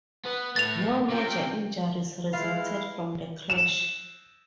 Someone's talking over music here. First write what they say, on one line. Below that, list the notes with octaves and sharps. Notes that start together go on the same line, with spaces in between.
No major injuries resulted from the crash.
B3 B4
A2 A3 A6 F7
C3 C#4 F4 G5
G#3 E4 F4 B4 F5
E7